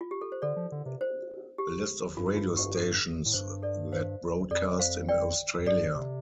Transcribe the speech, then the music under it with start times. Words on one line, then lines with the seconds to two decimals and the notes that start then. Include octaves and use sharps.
A list of radio stations that broadcast in Australia.
0.01 F4
0.11 G4
0.21 A4
0.32 C5
0.42 D3 A4 D5
0.56 F3
0.72 D3
0.86 C3
1.01 C5
1.58 G4
2.17 G2 F4
2.37 F4
2.56 G4
2.75 A4
3.26 A2
3.33 G2 C5
3.63 A4 D5
3.92 C5 F5
4.51 F2 A4 D5
4.79 C5 F5
5.09 D5 G5
5.59 F2
5.66 G2 A4 D5
5.96 C3